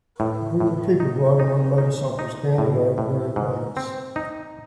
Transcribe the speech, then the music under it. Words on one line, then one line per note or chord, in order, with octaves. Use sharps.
A group of people riding on motorcycles down the road wearing helmets.
A2
A2
D#4
D#4
D#4
D#4
A2
A2
G#2
C4
D#4